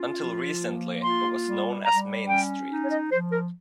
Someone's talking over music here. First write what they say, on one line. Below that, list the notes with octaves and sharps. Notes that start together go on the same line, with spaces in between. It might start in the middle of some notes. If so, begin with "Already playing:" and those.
Until recently it was known as Main Street.
Already playing: C#4 F4
F3
A#3
F4 C6
G3
G3 A#5
C#4 G5
D#4
C#5
D#5
F3 C5
A#4